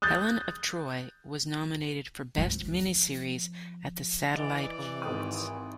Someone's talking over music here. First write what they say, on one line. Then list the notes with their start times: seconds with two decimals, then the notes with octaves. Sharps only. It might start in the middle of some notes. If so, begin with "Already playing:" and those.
"Helen of Troy" was nominated for best miniseries at the Satellite Awards.
0.02 D#6 F#6 G6 A6
2.37 F3 C4
4.36 E3 D5 D#5
5.02 G#1 G4 D#6